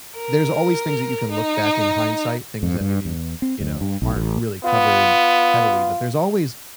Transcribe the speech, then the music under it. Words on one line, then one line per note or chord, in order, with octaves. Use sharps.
There's always things that you can look back in hindsight, things that maybe, you know, aren't really covered heavily, but there's always
A#4
D#4
F2
G2
E2
C4
D2
G2
B1
A1
B3 F4